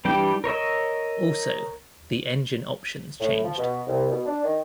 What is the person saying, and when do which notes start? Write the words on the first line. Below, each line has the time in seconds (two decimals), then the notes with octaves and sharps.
Also, the engine options changed.
0.05 E3 G3 D4 G4 G5
0.44 A#4 C#5 D#5 E6
3.20 A2
3.44 F3
3.58 B2
3.87 C2
4.11 B2
4.26 D4
4.44 D#3